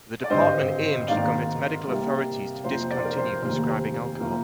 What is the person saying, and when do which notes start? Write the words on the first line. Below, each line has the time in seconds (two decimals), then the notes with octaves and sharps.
The department aimed to convince medical authorities to discontinue prescribing alcohol.
0.24 D5
0.30 G#1 G2 D3 C5 D#5
1.08 G#1 G#2 D#3 A#3 D5 F5
1.86 C2 C3 G3 A#3
2.64 F2 C3 F3 A#3 C5
2.91 D5
2.97 C5
3.04 A#4 D5
3.17 C5
3.42 F1 D#2 D#3 A#3 C5
4.20 C3 F3 A#3